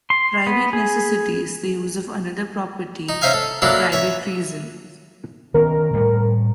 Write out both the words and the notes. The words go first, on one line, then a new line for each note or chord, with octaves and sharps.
Private necessity is the use of another's property for private reasons.
C6
B3
G#4
D#4
C#4 D#4 C5 E5 F5 G#5
A4
F#3 A#3 D4 E4 A4
C#5 E5
D#3 B3 C#4 A#4
A2 G3 A3